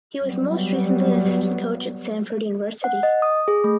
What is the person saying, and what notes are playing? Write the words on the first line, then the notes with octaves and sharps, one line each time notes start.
He was most recently an assistant coach at Samford University.
F#3 G3 B3
F#5
D#5
D#6
G#4
A3